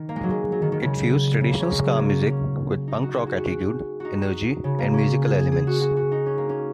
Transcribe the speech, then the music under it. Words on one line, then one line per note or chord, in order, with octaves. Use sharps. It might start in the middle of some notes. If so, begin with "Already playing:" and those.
It fused traditional ska music with punk rock attitude, energy and musical elements.
Already playing: D#3
A#3
G#3
F#3
G#3
F#3
D#3
D#3
C#3
C#3
A#3
C#4
G#3
F#3
C#4
A#3
C#4
D#4
F#4
G#4
F#4
F#4
D#4 F#4
C#3
A#3
C#4
G#4
G#4
G#4
F#4
F#4
F#4
D#4
C#4
A#3
C#4